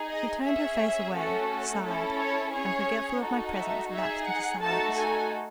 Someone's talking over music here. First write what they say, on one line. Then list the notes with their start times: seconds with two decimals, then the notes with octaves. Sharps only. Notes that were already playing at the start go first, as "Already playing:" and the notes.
She turned her face away, sighed, and forgetful of my presence lapsed into silence.
Already playing: D#4 G#4
0.09 D#5
0.45 C#4 G#4 E5
1.14 A3 C#4 F#4 A4
1.84 C#4 E4 A4
2.18 C#5
2.53 C#4 G#4 C#5
3.23 D#4 F#4 A4
3.57 E5
3.92 D#4 G#4 E5
4.27 F#5
4.62 A3 D#4 F#4 A4 A5
4.97 G#5